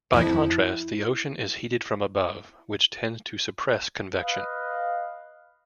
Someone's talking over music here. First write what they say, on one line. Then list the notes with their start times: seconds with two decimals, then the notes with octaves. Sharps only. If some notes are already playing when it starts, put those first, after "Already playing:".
By contrast the ocean is heated from above, which tends to suppress convection.
0.13 F2 F3 E4
4.18 B4 D#5 F5